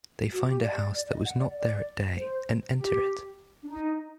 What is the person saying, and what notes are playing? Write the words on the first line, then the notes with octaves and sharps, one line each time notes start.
They find a house that was not there at day and enter it.
F#4
G4
D5
D5
D#5
F#5
D5
D5
C5
G4
D4
D#4